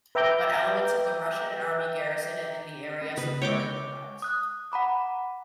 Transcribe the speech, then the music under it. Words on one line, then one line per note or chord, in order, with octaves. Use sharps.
But elements of the Russian army garrison in the area supported the Reds.
B4 E5 G5 A#5 D6 G6
C#4
C#3 B4
G#3 C#5 G5 D6
D#6 F#6
F#5 A#5 B5 D6